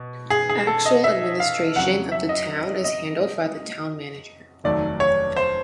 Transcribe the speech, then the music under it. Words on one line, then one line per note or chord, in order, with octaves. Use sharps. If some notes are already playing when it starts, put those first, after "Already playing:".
Actual administration of the town is handled by the town manager.
Already playing: B2
G#4
G#4
A4
D#5
E5
F5
F2 C#3 F#3 F#5
E5
D#5
D#5
F1 D#2 D#3 F#3 A3 D5
C#5
C5